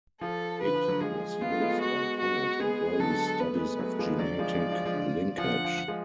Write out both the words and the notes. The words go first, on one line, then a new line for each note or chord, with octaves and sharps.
It was used by Punnett in early studies of genetic linkage.
F3 A4
D3 B4
F3
D3 F#3
F3 G#3 G#4
B3 F4
A3
G#3 B3
F#4
F#4
G#3 B3 G#4
D3 F#3 A4
B3 B4
A3
G#3 B3
F#3 A3
F3 G#3
D3 F#3 D5
F3 G#3
F3
F3
F3 G#3
D3
F3
F3 F#5
D3
F3
F3 G#3